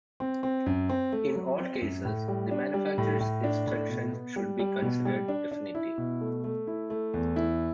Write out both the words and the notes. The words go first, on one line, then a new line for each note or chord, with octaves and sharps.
In all cases, the manufacturer's instructions should be considered definitive.
C4
C4
F#2
C4
A3
F#3
C4
F#2
A2
G3
D4
G3
A2
A2
D4
A2
B2
B3
G3
G3
B2
G3
D4
D4
E4
B2
A3
A3
E4
A3
E2
E4